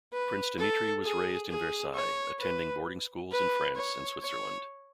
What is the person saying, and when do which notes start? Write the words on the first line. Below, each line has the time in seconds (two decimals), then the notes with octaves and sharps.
Prince Dimitri was raised in Versailles, attending boarding schools in France and Switzerland.
0.13 B4
0.58 A4
1.04 G#4
1.49 G#4
1.95 C#5
2.39 B4
3.31 B4
3.76 C#5
4.22 C#5